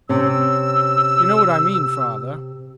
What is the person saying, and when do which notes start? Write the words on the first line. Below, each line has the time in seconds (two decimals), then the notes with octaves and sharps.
'You know what I mean, father.'
0.09 C3 C#4 E6